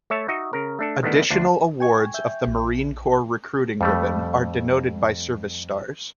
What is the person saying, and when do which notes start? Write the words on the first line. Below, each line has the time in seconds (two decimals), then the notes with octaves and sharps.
Additional awards of the Marine Corps Recruiting Ribbon are denoted by service stars.
0.10 A3 C#5 E5 A5
0.28 D#4 F#4 D#5 E5
0.53 C#3 A#4
0.79 A3 D4 A4
1.03 D#3 G3 A3 B3 D4 E4
1.30 D2 D4 F4
1.80 G5 G#5 C#6 G#6
2.14 E5 G6
2.47 A#1
3.81 F2 G3 A3